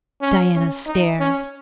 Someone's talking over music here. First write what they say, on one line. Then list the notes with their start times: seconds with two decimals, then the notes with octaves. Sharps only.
Diana stared.
0.21 C#4
0.55 C#4
0.87 D#4
1.20 C#4